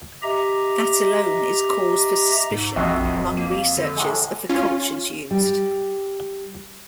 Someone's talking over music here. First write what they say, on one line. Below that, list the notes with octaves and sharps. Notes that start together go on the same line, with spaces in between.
That alone is cause for suspicion among researchers of the cultures used.
G4 D#5 E5 A#5
G#2
A#1 F2 C4 F#4 D#5 E5
D1
A#3
D3
A2 C3 G#3
C#4 F4
G3